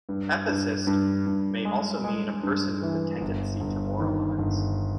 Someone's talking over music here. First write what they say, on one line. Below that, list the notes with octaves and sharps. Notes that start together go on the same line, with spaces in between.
"Ethicist" may also mean a person with a tendency to moralize.
G2
G2
G2
G2
G#3
G#3
G2
E3
G1
G1
D#3
G1